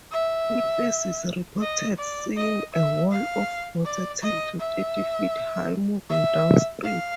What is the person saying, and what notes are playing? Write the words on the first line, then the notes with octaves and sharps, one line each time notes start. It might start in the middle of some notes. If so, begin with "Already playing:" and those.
Witnesses reported seeing a "wall of water" ten to thirty feet high moving downstream.
E5
D#5
D5
D#5
E5
F5
D5
D#5
E5
E5
F5